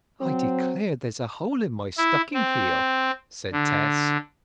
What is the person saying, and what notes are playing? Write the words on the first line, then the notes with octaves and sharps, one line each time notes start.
"I declare there's a hole in my stocking-heel!" said Tess.
F#3 C4
E4
C4
D3